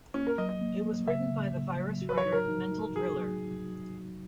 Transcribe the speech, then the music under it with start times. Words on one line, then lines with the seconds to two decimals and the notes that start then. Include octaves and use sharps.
It was written by the virus writer "Mental Driller".
0.14 A#3 C#4
0.27 A#4
0.38 F#3 D#5
0.49 D#5
0.61 A#3
0.85 A#3
1.08 C#3 E5
1.31 C#3
1.55 C#3
1.79 F#3
2.02 F#4
2.09 B4
2.18 C#5
2.26 D#4
2.32 A#4
2.48 D#4
2.71 D#4
2.96 F#4 G#4
3.19 F#3